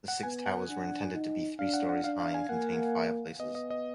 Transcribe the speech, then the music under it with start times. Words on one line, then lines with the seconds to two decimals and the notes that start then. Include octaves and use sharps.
The six towers were intended to be three storeys high and contained fireplaces.
0.08 F#5
0.23 B3 G#5
0.46 F#5
0.69 D4
1.13 D#4
1.59 D4 F5
1.73 F#5
1.89 F#5
2.04 D4 F5
2.20 F5
2.34 G#5
2.49 A#3 F#5
3.40 B3 D#5
3.55 D#5
3.70 D#5